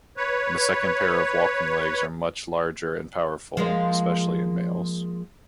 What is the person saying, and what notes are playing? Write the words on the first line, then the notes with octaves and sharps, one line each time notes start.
The second pair of walking legs are much larger and powerful, especially in males.
B4 C#5
F3 G#3 A#3